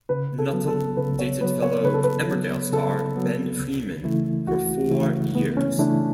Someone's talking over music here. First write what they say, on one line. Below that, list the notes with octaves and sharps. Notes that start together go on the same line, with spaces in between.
Nuttall dated fellow "Emmerdale" star Ben Freeman for four years.
C#3 B4
A4
F#3 B3
A4
C#3 B4
C#5
F#3 B3 B4
C#5
C#3 B4
A4
B4
F#3 B3
C#3 A4
F#3 B3
C#2
C#3 E3 A3 E4
C#2 F#4
C#3 E3 A3 E4
C#2 B3
C#4
C#3 E3 A3 D4 E4